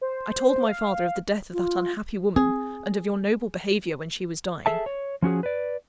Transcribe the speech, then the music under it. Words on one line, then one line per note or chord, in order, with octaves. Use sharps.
I told my father of the death of that unhappy woman, and of your noble behaviour when she was dying.
C5
F5
F4
C4 G#4
G#4 A4 E5 A5
C#5
F3 C#4 F#4 G#4
B4 D5